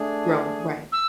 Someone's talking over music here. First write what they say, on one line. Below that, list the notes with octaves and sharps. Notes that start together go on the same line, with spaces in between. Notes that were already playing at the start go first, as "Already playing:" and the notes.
Growing, right.
Already playing: A3 D4 G#4
E6